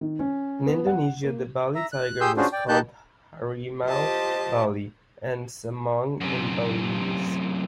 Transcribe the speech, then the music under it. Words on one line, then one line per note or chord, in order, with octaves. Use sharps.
In Indonesia, the Bali tiger was called harimau bali, and samong in Balinese.
D#3
C#4
B3
F#5
A#3
E5 A#5
F#6
G4 G#4 C6 D#6 E6 G6
C#4 D4 F4 F#4 G#4 C5
D5 G5
A#3 D#4 G4 A5 F#6 G6
F4 G4 C5 D#5 A5
F#2 C3